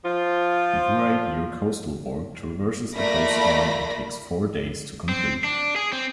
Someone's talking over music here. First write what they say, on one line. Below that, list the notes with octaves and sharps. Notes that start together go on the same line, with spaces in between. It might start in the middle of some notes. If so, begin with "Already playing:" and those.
The Yuraygir coastal walk traverses the coastline, and takes four days to complete.
F3 F4
A3 A#3 F4 D5 B5 A#6
C4
D4
G#4
C4